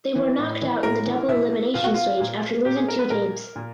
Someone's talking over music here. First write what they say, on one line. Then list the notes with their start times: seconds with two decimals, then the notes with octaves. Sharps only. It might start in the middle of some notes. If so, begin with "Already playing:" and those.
They were knocked out in the double elimination stage after losing two games.
0.15 E3
0.39 A2
0.62 E3
0.83 A2 A#4
1.06 E3
1.28 B2 E4
1.74 B2 F4
1.84 F#4
1.94 F4
2.20 A#2
2.65 A#2 G4
2.77 G#4
2.88 A#4
2.99 B4
3.10 A#2 A#4
3.56 A#2